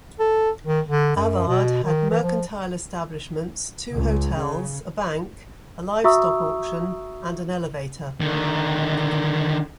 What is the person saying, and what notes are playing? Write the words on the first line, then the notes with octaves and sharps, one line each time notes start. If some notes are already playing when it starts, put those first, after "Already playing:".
Avard had mercantile establishments, two hotels, a bank, a livestock auction, and an elevator.
A4
D#3
D3
F#2
B2
D#3
E3
F3
C#2
C#3
F#4 E5 A#5 C#6 D#6 E6
D3 D#3